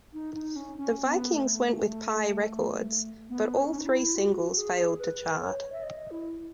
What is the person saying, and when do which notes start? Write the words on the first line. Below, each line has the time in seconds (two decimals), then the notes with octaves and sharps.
The Vikings went with Pye Records, but all three singles failed to chart.
0.14 D#4
0.34 D#4
0.56 C#4
0.77 C#4
1.05 B3
1.33 A3
3.30 B3
3.58 C#4
3.70 C#4
3.78 D#4
3.86 E4
4.14 F#4
4.57 G#4
4.99 B4
5.41 C#5
5.72 E5
5.83 D#5
6.11 E4